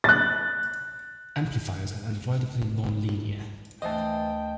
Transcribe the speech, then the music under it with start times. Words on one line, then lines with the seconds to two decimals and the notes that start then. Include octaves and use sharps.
Amplifiers are unavoidably non-linear.
0.04 F#6 A6
3.82 D2 E3 A3 C5 D#5 G5 A5